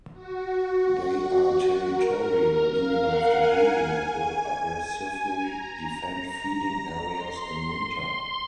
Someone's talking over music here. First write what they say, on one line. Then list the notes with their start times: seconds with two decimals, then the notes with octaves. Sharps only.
They are territorial even after breeding, and will aggressively defend feeding areas in winter.
0.13 F#4
1.00 F#4
1.89 A#4
2.76 F5
3.06 F#5
3.34 G#5
5.39 A#5
6.27 A#5
7.15 C6
8.02 C6